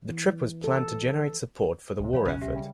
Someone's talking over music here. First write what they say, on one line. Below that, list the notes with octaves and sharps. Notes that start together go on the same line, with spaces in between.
The trip was planned to generate support for the war-effort.
E3
A4
C#2 C3
A#2 E3 F3 C#5 F5 B5
B1 F2 C#3 C#4 F#6
C#2 G4 E5
C#3 G3